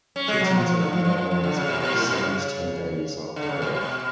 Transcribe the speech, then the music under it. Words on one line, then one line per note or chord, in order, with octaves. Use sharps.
Kittens open their eyes about seven to ten days after birth.
C#4
G#3
F#3
F3
F3
D3
F3
F3
F3
F3
D3
C#3
B2
B2
A2
B2
C#3
D3
C#3
B2
B2